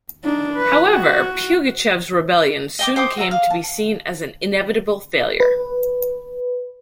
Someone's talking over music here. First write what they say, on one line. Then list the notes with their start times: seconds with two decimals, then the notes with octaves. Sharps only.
However, Pugachev's Rebellion soon came to be seen as an inevitable failure.
0.24 D4 D#4
0.54 B4
0.90 F#4
2.79 D#5 G5 D6
2.96 C5 G5 D6 D#6
3.17 F#4 E5 A#5
3.31 F5
3.50 A5
5.40 B4